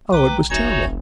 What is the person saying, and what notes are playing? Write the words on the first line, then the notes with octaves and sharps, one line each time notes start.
Oh, it was terrible!
B1 B4 G5 A#5 D6
F1 D#4 F#4 C#5 E5 G#5